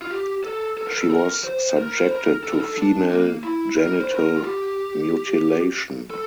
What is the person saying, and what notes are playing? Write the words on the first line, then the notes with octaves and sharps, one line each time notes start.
She was subjected to female genital mutilation.
F4
G4
A4
A4
A#4
A4
A#4
C5
A#4
C5
A#4
A4
A#4
A4
D4
A#3
E4
A#4
C5
A#4
F4
G4
A4